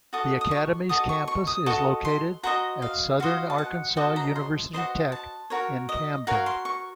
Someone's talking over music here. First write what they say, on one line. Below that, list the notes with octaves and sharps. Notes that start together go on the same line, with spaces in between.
The Academy's campus is located at Southern Arkansas University Tech in Camden.
F#4 A4 D#5 D#6
D#6
C#6
F#4 A4 D#5 D#6
C#6
C#6
D#6
F#4 A4 D#5 C#6
C6
F#4 C5 D#5 A#5
F5
F#4 C5 D#5 F5
A5
F#5
F#4 A4 C5 D#5 A5
A#5
C6
F#4 A4 C5 D#5 C6
A5
F#4 A#4 C#5
D#5
F#4 A#4 C#5 F5
C6
C#6